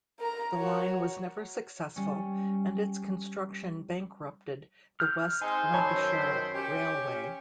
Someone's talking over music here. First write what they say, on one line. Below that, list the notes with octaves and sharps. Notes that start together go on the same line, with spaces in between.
The line was never successful and its construction bankrupted the West Lancashire Railway.
A#4 A#5
F#4 C#5
G3 C#4
F6 G6
G#3 C4 D#4 C5 G#5
F#2 D#3 C#5 A5 B5 E6
B6
C#4 G4